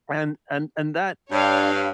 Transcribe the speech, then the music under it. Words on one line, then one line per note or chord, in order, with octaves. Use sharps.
and and and that
G2 D4 C#5 F5